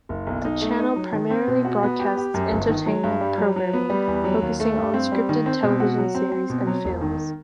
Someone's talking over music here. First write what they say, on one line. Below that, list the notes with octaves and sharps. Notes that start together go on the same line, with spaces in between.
The channel primarily broadcasts entertainment programming, focusing on scripted television series and films.
F#1
B1
D#4
A3
D#4
F#3
D#3
C4
B2
F#4
B3
G4
G4
F#2
G1
D#3
F#3
G2
G3
F#3
F#3
B3
G3
E2
F#3
D#2
A3
G2
C4
G3
D#3
C4
B2
F#4
F#3
C4
C4
B2
F#3
E1
D#3